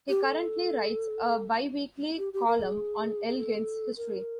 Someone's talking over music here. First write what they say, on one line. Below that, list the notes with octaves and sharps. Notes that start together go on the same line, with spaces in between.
He currently writes a biweekly column on Elgin's history.
G4
A4
G4
G4
A#4
G#4
G#4
A4
A#4